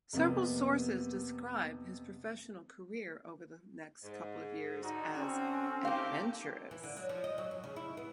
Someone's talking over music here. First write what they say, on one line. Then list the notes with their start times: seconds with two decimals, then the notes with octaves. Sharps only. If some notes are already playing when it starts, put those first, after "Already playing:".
Several sources describe his professional career over the next couple of years as "adventurous".
0.13 F2 C3 A#3 B3
4.03 G#2
4.83 D3 D#4 F#4
5.16 C4 C#4
5.85 A3 A#3 D#4 G4 F5
6.71 E3
6.83 D3
6.97 F#3
7.09 F3
7.24 D#5
7.38 F#3
7.51 F#2
7.64 C#3
7.76 E4
7.97 B3